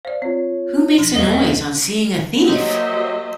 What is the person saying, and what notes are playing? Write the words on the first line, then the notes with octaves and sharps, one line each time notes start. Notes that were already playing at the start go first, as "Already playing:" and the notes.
Who makes a noise on seeing a thief?
C5 D5 F5
C4 F4 C#5
B2 F3
E2 D#5 F5
F#3 A#3 G4 C5 D#5 E5